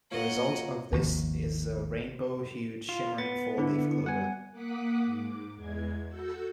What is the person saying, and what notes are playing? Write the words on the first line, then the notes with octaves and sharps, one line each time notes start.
The result of this is a rainbow-hued, shimmering four-leaf clover.
A#3 F4 C#5 D#5 F#5
G#1 D#2 F3
F4
B3 A6
D3 E4
G3 F#5 G#5
A#3 F#5 D6 D#6 F#6 B6
G#2 D6
E2 G#3 G#6
F#4 A4 E6 G6